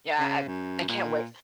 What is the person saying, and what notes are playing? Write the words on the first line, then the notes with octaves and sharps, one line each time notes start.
Yeah, I I can't wait.
C#3
F#2
A#2